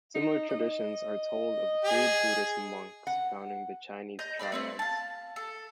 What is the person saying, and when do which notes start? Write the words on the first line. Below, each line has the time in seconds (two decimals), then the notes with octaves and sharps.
Similar traditions are told of three Buddhist monks founding the Chinese Triads.
0.15 D#4
0.49 D#5
1.84 G#4
3.07 F#5
4.19 D#5 A#5 G6
4.39 D4 A#4 D5 B5
4.52 A3 C4 E4
4.79 F5 A5
5.36 A4